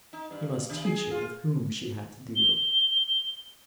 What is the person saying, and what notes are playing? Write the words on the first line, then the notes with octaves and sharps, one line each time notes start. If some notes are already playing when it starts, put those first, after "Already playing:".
He must teach her with whom she had to deal!
D#4
G2
C#3
G#4
F4
G7